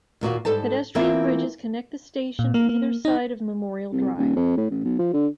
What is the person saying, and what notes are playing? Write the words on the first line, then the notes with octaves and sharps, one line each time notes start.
Pedestrian bridges connect the station to either side of Memorial Drive.
D#2 A#2 F#4 F5
G#2 G3 A4 C5 A5
E3 A#3 C4 E4 F4 E5
A#2
A#3
A#3
D#4
C2
D#1
F2
A2
A1
B1
F3
D3